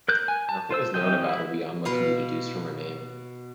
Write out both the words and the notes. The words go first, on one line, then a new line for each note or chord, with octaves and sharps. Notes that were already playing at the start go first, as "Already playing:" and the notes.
Nothing is known about her beyond what can be deduced from her name.
A#4 F#6 G6
G#5
A5
F4 C5 E6
E3 C4 D#5 G5 G6
E4
B2 B4 F5